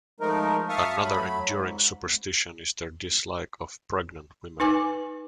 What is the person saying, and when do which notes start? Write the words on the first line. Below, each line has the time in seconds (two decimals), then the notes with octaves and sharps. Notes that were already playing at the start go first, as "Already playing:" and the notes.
Another enduring superstition is their dislike of pregnant women.
0.20 F3 G#3 A3 D#4 A#4
0.69 E5 F5 A5 C#6 D#6 F6
1.00 F#3 A3 B5
1.46 G#2
4.60 D#4 B4 G#5 D6